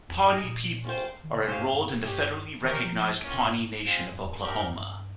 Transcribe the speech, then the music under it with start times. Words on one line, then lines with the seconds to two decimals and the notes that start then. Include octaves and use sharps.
Pawnee people are enrolled in the federally recognized Pawnee Nation of Oklahoma.
0.09 F2
0.23 G2 D#4 G#4 D#5
0.33 G#2
0.43 A#2
0.84 C#4 F4 C5 G5
1.24 D#3
1.34 C#3
1.43 C3 G#3 C#4 G4 C5 F5
1.58 G#2
1.73 G2
2.03 G2 G#3 C#4 G4
2.63 D#3 G3 C#4 G4 A#4
2.73 D#3
2.84 F3
3.24 A#3 C#4 F4
3.33 C3
3.43 G#2
3.83 G#3 C4 F4
4.14 G2
4.23 F2
4.33 G2
4.43 G2 D#4 G4 A#4
4.54 G2
4.63 F2
4.73 G2